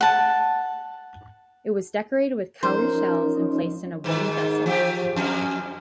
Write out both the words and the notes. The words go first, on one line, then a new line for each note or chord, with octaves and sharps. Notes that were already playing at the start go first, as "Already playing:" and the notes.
It was decorated with cowry shells and placed in a wooden vessel.
F#5 A5
F3 C#4 D#4 A#4 C5
G#2 D#3
F3 G4
F2